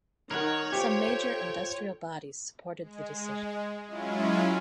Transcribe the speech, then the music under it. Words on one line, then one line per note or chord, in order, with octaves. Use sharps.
Some major industrial bodies supported the decision.
D#3 D#4 A#4 C#5 F#5
F4 G4 A4 C5 G5
G#3
F#3 G#3 C#4 E4 F4